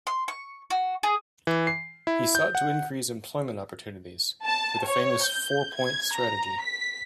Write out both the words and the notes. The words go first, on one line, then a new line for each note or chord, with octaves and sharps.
He sought to increase employment opportunities with a famous four-point strategy.
C6
C#6
F#4
G#4
E3
C7
E4
G6
F#5
A5
C#5
G6
G#6
A#5
B6